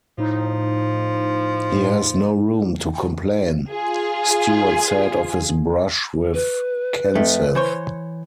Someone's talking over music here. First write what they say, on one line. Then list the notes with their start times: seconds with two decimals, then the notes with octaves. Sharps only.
"He has no room to complain," Stewart said of his brush with Kenseth.
0.18 A2 F3 D#4
3.70 F4 G#4
6.34 B4
7.15 F2 A3
7.55 E3 C5 C#5